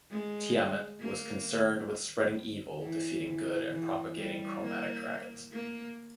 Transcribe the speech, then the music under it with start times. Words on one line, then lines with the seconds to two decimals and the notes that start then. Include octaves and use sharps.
Tiamat is most concerned with spreading evil, defeating good, and propagating chromatic dragons.
0.11 G#3
1.00 A#3
2.82 E3
3.26 E3
3.71 E3
4.17 G3
4.62 A#3
5.53 A#3